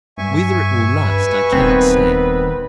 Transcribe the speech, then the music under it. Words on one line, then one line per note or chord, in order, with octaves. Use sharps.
"Whether it will last I cannot say."
G2 E5 G#5 C#6
B4
D#1 D#3 B3 C4